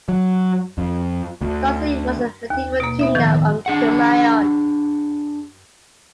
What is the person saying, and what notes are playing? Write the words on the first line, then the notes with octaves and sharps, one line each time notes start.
Doti was a medieval kingdom of Kumaon.
F#3
F2
D2
D#2
B2 A#3
B3 D#4 E5
A2 D#3 F3
D4 G#4 F#5